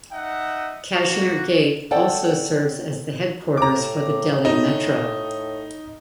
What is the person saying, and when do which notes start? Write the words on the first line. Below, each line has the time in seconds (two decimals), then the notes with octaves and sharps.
Kashmere Gate also serves as the Headquarters for the Delhi Metro.
0.12 D#4 E5 F#5
0.92 A#3 F#4
1.91 A4 C#5 D5 F#5 G5 A5
3.57 A2 A#5 D6
4.45 D#4